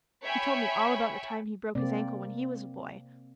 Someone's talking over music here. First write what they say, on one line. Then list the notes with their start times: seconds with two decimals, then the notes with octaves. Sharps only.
He told me all about the time he broke his ankle when he was a boy.
0.23 C#5 E5 G5 G#5 B5 C#6
1.75 C3 A#3 C4 D5